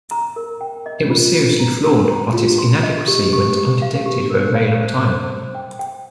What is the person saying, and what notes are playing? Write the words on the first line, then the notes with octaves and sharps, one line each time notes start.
It was seriously flawed, but its inadequacy went undetected for a very long time.
A#5
A#4
G5
D#5
F4
F4
A#5
A#4
A#5
F4
C6
D#5
G4
G4
G4
F5
G4
A#4
F5
C5
C5
C5
G5
G5